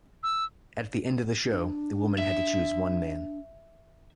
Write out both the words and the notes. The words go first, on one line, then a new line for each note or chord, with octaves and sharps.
At the end of the show, the woman had to choose one man.
E6
D4
E5